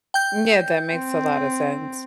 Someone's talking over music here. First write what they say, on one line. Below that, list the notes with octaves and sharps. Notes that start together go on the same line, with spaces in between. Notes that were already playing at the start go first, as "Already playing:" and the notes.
M yeah, that makes a lotta sense.
G5 G6
C4